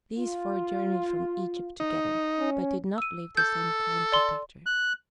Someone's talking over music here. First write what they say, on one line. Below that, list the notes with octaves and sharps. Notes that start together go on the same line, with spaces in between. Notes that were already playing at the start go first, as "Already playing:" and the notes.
These four journeyed from "Egypt" together--but did not leave the same "kind protector."
F4
D#4
C#4
E6 D#7
A4 G6
D5 C6
F#6